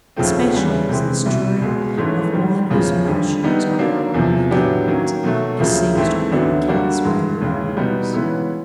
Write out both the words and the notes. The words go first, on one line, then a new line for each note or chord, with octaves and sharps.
Especially is this true of one whose emotions are her only guides, as seems to have been the case with the Widow Morris.
D#2 C#3 F3 A3 C4
E2 C#3 E3 G3
C3 E3 G#3 C4
C2 B2 G3
C#2 B2 G#3
G#2 E3 A3 C#4
G#2 D#3 G3
E2 C#3 F3
F2 D3 G3
D#3 G3 B3 D#4
D3 F#3 A#3 D4
E2 C3 F3
A2 F#3 B3 D4 G4
D#3 F#3 A#3 C#4
B2 F#3 A3
D2 C#3 F3 A#3
G#2 E3 A3 C4 E4
D2 D3 F#3 B3 D4
D3 G3 A#3 D4 F#4
G2 E3 G#3
D#2 C#3 E3 G#3
B2 G3 B3 D#4
C#3 E3 G#3 B3 E4